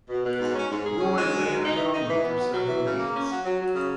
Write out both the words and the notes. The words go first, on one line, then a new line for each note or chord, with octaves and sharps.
Roy lay in a coma for several weeks.
B2
B2
G#2
C#4
G#2
G#4
C#4
G#3
F#3
G#2
D#4
E3
D#4
E3
B3
F#3
F#3
E3
C#3
A#3
C#4
F#3
F#3
F#3
C#3